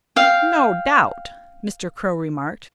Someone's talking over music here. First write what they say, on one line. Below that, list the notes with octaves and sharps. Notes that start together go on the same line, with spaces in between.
"No doubt!" Mr. Crow remarked.
F5 G5